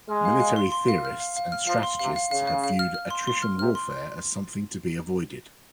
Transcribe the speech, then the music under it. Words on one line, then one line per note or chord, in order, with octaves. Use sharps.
Military theorists and strategists have viewed attrition warfare as something to be avoided.
G#3 F6
F5
F5
C6
C6
F5
F6
F5
F5
F6
F3 F5
C6
C3 F5
F5
C#3 F5
F5
F5
F6
F6
C6
C6
F6
C3 F6
C6